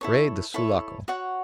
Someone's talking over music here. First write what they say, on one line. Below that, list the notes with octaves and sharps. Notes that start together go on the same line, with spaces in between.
Rey de Sulaco!
E4 A4 C#5
E4 A4 C#5
F#4 C#5 F#5